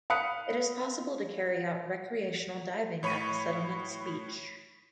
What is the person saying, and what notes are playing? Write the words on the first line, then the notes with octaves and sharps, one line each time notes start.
It is possible to carry out recreational diving at the settlement's beach.
F5 B5 D#6 F#6 C#7
A2 C#5 B5 C#6 D#7